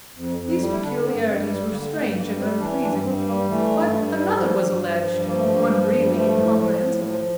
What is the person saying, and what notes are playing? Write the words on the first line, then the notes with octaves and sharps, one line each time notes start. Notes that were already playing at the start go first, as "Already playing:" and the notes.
These peculiarities were strange and unpleasing; but another was alleged, one really incomprehensible.
F2
F2
G3
E4
D3 D4
G2 C4
G2 C4
G3
D3 A#3
G2 A3
G2 A#3
G3 C4
E3 D4
G2 D4
G2 C4
G3 A#3
E3 A3
G2
G2
G3
F3
G2
F3
G2
F3 A#3
A3
G2 A#3
F3
G2
F3 A3
A2
F3
A2
F3